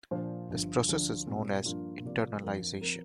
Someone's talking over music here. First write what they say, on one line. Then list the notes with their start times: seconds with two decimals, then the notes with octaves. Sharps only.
This process is known as internalization.
0.11 A#2 F3 D4 F4 C5
0.50 G1 G2 F3
0.88 D2 D3 F3 D4
1.26 A#2 G3 C4
1.65 G2 F3 A#3 D4 F4
2.04 C3 F3 A#3 F4 D5
2.43 F2 F3 D4 F4 A#4
2.81 F3 C4 A#4